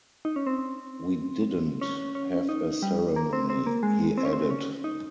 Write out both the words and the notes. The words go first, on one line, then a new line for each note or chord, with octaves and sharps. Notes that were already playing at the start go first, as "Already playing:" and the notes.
"We didn't have a ceremony," he added.
D#4
C#4
C4
C#4
C#4
D#4
G3
A#3
C4
C4
A#3
G#3
C4
C#4
C4
C#4
D#4